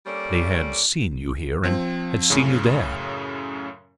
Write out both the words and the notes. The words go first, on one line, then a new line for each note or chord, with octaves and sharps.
They had seen you here and had seen you there.
G3 A#3 C#4 A4 D5
F3 C4
F#2 A2 C#3